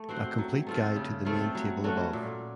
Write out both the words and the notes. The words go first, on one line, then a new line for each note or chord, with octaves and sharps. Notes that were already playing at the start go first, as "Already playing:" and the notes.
A complete guide to the main table above.
Already playing: A3
C4 F#4 C5
F#3
A3 C4 F4
C#3
A3 C4 F4
F#3
A3 C#4 F#4
A#2